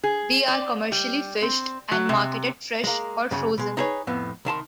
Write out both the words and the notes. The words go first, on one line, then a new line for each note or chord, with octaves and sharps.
They are commercially fished, and marketed fresh or frozen.
G#4
D5
G3
C4
F#3
C3
G#3 A#3
F#2 C#3
B2 G#3
D#4 E4 G#4 B4 C#5
F2 A2 B3
C2 D#3 A5 C6